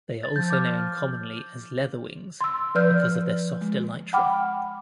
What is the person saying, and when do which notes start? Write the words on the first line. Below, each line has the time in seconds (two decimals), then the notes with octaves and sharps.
They are also known commonly as leatherwings because of their soft elytra.
0.23 A6
0.36 F3 G6
0.50 D6 F6
2.41 C6 E6
2.75 F3 B4 D5 F6 G6
3.61 G#3
4.13 F#5 G5 B5 D6 F6